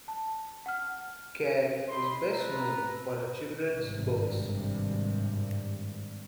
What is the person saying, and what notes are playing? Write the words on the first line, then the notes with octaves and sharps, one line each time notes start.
Kerr is best known for her children's books.
A5
F#5 F6
D#4 B5 C6
A4 B4 A#5
G#1 G2 C3 G3